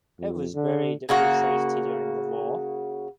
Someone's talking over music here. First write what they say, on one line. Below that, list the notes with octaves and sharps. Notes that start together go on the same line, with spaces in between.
It was buried for safety during the war.
F2
D3
C#3 A#3 F#4